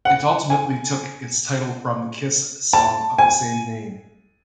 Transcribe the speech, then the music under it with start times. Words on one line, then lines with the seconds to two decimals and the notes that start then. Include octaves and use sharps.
It ultimately took its title from the Kiss song of the same name.
0.05 F#5
0.50 G#5
2.73 A5
3.18 G#5